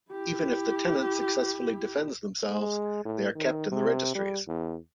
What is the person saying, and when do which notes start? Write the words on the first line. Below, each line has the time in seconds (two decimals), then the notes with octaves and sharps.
Even if the tenant successfully defends themselves, they are kept in the registries.
0.11 E4 G4
2.51 G#3
3.05 A2
3.35 D#3
3.72 C3
4.15 G3
4.47 E2